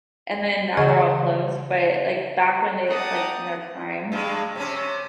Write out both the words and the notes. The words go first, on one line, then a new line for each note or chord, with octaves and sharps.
and then now they're all closed, but, like, back when they, like, in their prime,
C#3 E3 G#4 D#5 C#6 G#6
D5 F#5 G5 A5 A#5 D#6
G2 G#3
C3 C#4